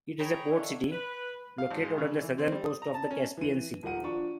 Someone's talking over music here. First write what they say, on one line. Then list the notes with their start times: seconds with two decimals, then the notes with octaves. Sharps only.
It is a port city, located on the southern coast of the Caspian Sea.
0.19 G#4 C#5 G5 A#5 B5
0.51 D3 D#3 D4 E4 C#5
0.91 B4
1.58 F5
1.71 G#1
1.84 G#3
1.98 C#3
2.22 E3
2.38 C4
2.52 G3
2.65 D#6
2.82 A#5
2.94 A5
3.11 C#4
3.37 E3 D#7
3.83 D#1 F3 A#4 F#5 D#7
4.03 F3 D4 C#6